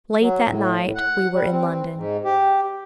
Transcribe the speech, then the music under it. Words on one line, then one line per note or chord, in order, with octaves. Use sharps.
Late that night we were in London.
F#3
A2
A2
F#5
G3
C4
G#2
G4